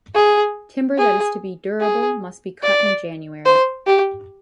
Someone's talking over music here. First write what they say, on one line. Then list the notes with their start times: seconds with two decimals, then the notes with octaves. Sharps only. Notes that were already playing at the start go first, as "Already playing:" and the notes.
Timber that is to be durable must be cut in January.
0.15 G#4
0.98 G#4
1.80 G#4
2.63 D5
3.45 C5
3.87 G4